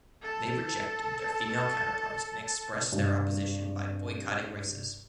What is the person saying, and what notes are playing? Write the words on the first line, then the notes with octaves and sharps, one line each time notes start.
They rejected their female counterparts and expressed their opposition by boycotting races.
A4 A5
G2 C3